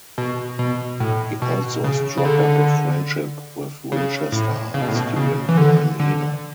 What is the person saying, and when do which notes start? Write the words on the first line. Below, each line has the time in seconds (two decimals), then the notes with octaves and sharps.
He also struck up a friendship with Winchester art student Brian Eno.
0.18 B2
0.59 B2
1.00 A2
1.42 B2
1.84 C#3
2.17 C#3
2.25 D3
3.92 C#3
4.32 A2
4.74 C#3
4.82 B2
4.88 A2
4.96 B2
5.16 C#3
5.49 E3
5.57 D3
5.99 D3